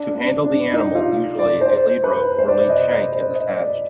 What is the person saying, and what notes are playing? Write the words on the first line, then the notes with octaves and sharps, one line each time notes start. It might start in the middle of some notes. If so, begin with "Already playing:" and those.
To handle the animal, usually a lead rope or lead shank is attached.
Already playing: D4
D4
D4
D#4
F4
D5
C5
B4
C5
D5
D5
D#5
D5
C5
D#5
D5